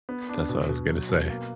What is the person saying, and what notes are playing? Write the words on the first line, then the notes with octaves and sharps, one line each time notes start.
That's what I was gonna say.
B3
D4
B2
B2
F#3
B2
A#3